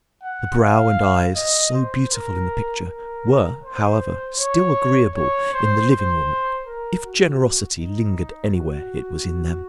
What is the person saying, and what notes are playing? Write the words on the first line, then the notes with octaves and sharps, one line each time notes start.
The brow and eyes, so beautiful in the picture, were, however, still agreeable in the living woman; if generosity lingered anywhere, it was in them.
F#5
F5
D#5
C5
A#4
A#4
C5
C#5
C#5
C5
C5
A#4
F#4
D#4
F#4